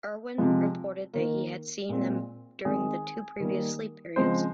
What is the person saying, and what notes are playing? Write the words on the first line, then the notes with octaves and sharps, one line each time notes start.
Irwin reported that he had seen them during the two previous sleep periods.
C3 F3 G#3
D#3 A#3
A#2 G#3 C4
D#3 G#3 C4 G#4
D#3 G3 A#3
C#3 F3 G#3 C4 C5